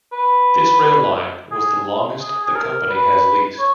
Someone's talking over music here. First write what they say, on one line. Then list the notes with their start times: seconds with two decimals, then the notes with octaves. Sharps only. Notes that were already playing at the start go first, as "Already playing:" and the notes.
This rail line was the longest the company has leased.
0.12 B4
1.51 G#4
2.21 G#4
2.44 G#4
2.56 A#4
2.90 B4
3.59 C#5